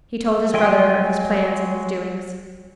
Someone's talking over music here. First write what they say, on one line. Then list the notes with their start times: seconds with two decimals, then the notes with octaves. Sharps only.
He told his brother of his plans and his doings.
0.54 F#3 G#3 G5 G#5 C6